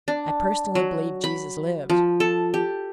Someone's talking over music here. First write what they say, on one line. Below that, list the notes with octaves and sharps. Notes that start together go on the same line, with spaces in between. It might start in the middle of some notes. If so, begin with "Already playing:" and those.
I personally believe Jesus lived.
D4
F#3
B5
F3
A4
G4